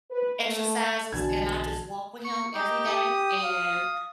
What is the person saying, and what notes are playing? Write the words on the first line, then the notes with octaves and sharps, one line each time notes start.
exercises and I just walk with him every day and
B4
A3
B1 D3 E3 B3 F#4 G#5 A5 G#6
C#6
D#4 G4
G4 D#6
F5